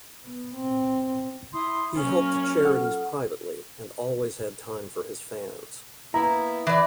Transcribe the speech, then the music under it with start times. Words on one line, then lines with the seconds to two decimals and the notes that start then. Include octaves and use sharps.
He helped charities privately, and always had time for his fans.
0.23 B3
0.56 C4
1.53 E4 C6 D#6
1.96 F#3 A#3 C#4 F6
2.61 F4 A4 F#5
6.14 A#3 B3 E4 A#5
6.67 E3 D5